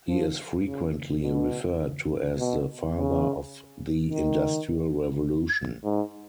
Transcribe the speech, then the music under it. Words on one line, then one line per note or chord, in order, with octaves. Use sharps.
He is frequently referred to as the Father of the Industrial Revolution.
F3
C#3
B2
B2
C#3
D#3
G#2